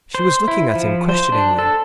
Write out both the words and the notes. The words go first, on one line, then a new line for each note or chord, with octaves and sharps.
She was looking at him questioningly.
C5
E4
F3
C5
D4
A4